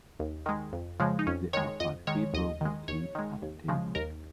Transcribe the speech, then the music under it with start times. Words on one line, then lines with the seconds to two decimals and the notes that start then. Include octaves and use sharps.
There are five people working at a table.
0.19 D#2
0.46 D#3 G#3
0.73 F2
1.00 C#3 F3 G#3
1.19 D#4
1.27 F2 C#4
1.53 D#3 C#5
1.57 G#3
1.80 F2 D#5
2.07 D#3 G#3 C#5
2.33 D#2 D#5
2.61 D#3 G#3
2.88 D#2 C#5
3.15 D#3 G#3
3.42 D#2
3.68 C#3 F3 G#3
3.95 D#2 A#4